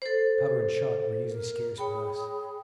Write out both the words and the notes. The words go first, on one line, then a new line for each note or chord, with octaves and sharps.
Powder and shot were usually scarce with us.
A4 C5
A#4
G#4 C#5 G5 B5